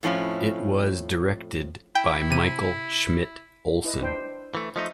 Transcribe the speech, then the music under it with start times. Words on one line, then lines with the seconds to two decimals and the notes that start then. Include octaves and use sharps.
It was directed by Michael Schmidt-Olsen.
0.03 F2 A2 F3 C#4 E4
1.95 E4 G5
2.30 C3 D#7
3.84 E4 B4 D#5
4.01 D4 C5 G5
4.55 E3 A3
4.76 F3 A3 D#4 D#5 E5